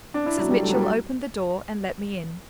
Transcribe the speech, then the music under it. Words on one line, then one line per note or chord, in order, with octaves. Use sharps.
Mrs. Mitchell opened the door, and led me in.
D4
E4
F#3
G3
A3
F#3
G3